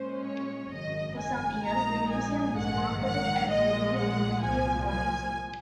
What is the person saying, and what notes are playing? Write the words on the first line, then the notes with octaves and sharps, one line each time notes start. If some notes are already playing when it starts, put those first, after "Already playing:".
For some years the museum was marketed as 'The "new" Imperial War Museum'.
Already playing: A#2 G#3 C#4 C5
C#5
G#1 F#2 C#3 D#5
G#5
A#1 A#2 G#3 D#4 A#5
G#5
A#1 G#2 D#3 A#3 F#5
F#5
A#1 A#2 G#3 D#5
F#5
C2 A#2 F3 G#5
G#5